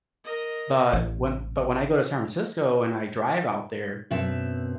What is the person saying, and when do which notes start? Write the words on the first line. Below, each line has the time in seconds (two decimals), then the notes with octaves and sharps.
but, when but when I go to San Francisco and I drive out there,
0.24 A#4 D#5
0.93 A1
4.10 F#2 B2 C4 E5